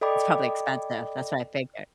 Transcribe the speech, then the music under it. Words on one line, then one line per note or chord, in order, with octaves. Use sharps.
It's probably expensive that's what I figured.
A4 D5 D#5 G5 B5 D6